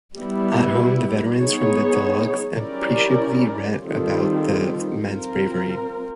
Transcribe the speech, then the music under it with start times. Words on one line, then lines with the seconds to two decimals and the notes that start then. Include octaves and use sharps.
At home, the veterans from the "Dogs" appreciably read about the men's bravery.
0.15 G3 B3 E4
1.37 B3 D#4 G#4 C#5
2.59 C#4 E4 G4 A#4 D5
3.81 D#3 G3 C4 F4 A4
5.03 C4 F4 A#4